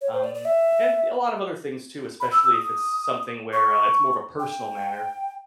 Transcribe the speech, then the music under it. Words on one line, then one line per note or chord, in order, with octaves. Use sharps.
Um, and a lot of other things too, especially if it's s something where, uh, it's more of a personal manner.
C#5
C5
D5
D5
E5
B5
E6
E6
D#6
C#6
G5